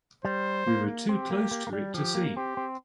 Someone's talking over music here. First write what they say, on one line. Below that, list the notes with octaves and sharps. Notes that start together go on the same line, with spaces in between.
We were too close to it to see.
G3 C5
A#3
C4 G4
A#3
A#3
A#3
G3
F3 G4
A#3
C4 G4
C4